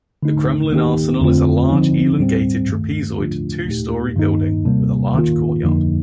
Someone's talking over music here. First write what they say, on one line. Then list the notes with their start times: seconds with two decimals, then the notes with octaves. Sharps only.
The Kremlin Arsenal is a large elongated trapezoid two-story building with a large courtyard.
0.23 D3 A3 D#4
0.72 D#3 A#3 D#4 G4
1.21 F2 D3 A3 C4 F4
1.70 D3 F3 C4 D#4
2.20 A2 G3 C4
2.68 G2 D#3 A3
3.18 D3 F3 A3 D4 F4
3.66 A#2 A3 D#4 G4
4.16 G2 D#3 A#3 D#4
4.65 C3 G3 A#3
5.15 D#3 A#3 F4
5.63 F2 D3 F3 A#3 D#4